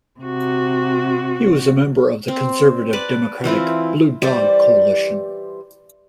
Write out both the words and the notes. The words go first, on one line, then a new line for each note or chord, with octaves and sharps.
He was a member of the conservative Democratic Blue Dog Coalition.
C3 F#4
C4
B4 D5 A5
E3 C4 E4 F4
E3 G3 C5 D5